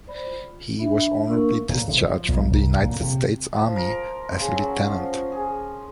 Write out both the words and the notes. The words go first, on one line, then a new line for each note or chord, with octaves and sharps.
He was honorably discharged from the United States Army as a lieutenant.
C5 D5 B5
F4
D4 E5 B5
A#3 D4 A#4 F5 C#6 E6
A#2
C3
F3
B1
C2
A#2
C3
F3
A#4
C#3
F#3
F3
G#4